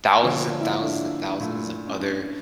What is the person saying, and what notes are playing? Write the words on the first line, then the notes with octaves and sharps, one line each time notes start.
thousands and thousands and thousands of other,
D3 F3 A#3 C#4 F4
F4
E4
D4
A#2 A3 E4
C#4
D4